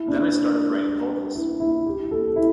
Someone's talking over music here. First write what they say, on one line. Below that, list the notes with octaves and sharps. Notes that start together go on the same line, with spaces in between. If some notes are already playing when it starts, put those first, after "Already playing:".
Then I started writing vocals.
Already playing: E4
D4
E4
E4
G4
A4
E4